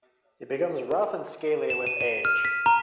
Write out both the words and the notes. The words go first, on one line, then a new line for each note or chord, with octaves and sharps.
It becomes rough and scaly with age.
E7
D#7
D#7
F6
B6
A#5